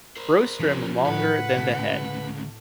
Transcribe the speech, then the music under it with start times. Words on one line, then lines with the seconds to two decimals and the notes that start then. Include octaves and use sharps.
Rostrum longer than the head.
0.17 A#4 C5
0.60 F3 C#4
1.06 A2 B4 F#5
1.57 D2 C#3 A5 B6